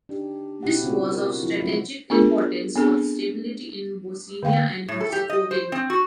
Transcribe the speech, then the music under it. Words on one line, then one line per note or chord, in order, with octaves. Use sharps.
This was of strategic importance for stability in Bosnia and Herzegovina.
D4 D#4 G4
B2 C#4 E4 F#4 G4 F#5
C#3 C4 F4 F#4
A#4 D5
F3 E4 F4
F#3 G#3 C4 F4 F#4
B3 D4 F4 G#4 A#4
B3 C4 D4 G#4 A4
D3 A#3 F5 G5
A2
A4
G4
D#5
C5
C4
F#4